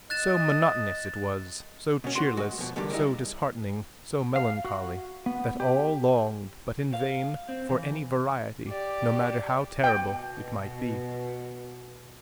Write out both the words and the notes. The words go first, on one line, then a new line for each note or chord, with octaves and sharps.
So monotonous it was, so cheerless, so disheartening, so melancholy, that all longed, but in vain, for any variety, no matter how terrible it might be.
D#5 F#6 A6 E7
B2 C#4
F#4 C6
G#3 F#4
F2 B2
E2 G2 D3 D#3 G3
G3 G#3 D#4 E4
F5
F#4
B3
G4
F5
C4
E3
G4 D5
B2 G5